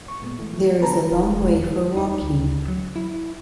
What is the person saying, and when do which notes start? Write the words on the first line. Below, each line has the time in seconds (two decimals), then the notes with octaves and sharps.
There is a long way for walking.
0.08 C#6
0.22 A#2 G#3 B3
0.39 E3 A3 E4
0.82 B3 D4 F#4 B4 A5 A#5
1.12 E1
1.41 E1
1.54 E2
1.97 D#4
2.22 D2
2.68 F#3
2.96 E4